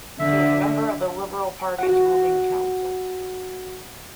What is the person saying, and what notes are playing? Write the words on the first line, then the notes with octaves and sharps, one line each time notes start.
She was a member of the Liberal Party's ruling Council.
D3 E5
F#4 F#5